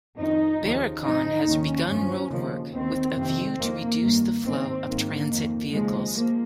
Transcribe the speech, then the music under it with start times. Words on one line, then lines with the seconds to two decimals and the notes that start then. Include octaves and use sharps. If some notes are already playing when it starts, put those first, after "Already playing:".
Berikon has begun roadwork with a view to reduce the flow of transit vehicles.
0.18 F2 D#3 D#4
0.60 D#2 C#3 F3
1.03 G#2 F3 D#4
1.45 D#2 D#3 C#4
1.88 G2 F3
2.31 D#2 C#3 F3
2.73 D#2 D#3 C4
3.16 F2 C3 D#3 C4
3.59 F2 D#3 A#3
4.01 G2 D#3 A#3
4.44 G#2 D#3 C4
4.87 G#2 D#3 A#3
5.30 F2 D#3
5.72 D#2 C#3 F3 G#3
6.15 F3 A#3